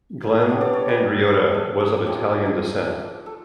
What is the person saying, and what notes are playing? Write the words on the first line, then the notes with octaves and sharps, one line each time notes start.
Glenn Andreotta was of Italian descent.
G3 B3 D4 C#5
D5
C#5
B4
B4
A4
G#4
F3 A#3 D#4 G4
G#4
A4
A4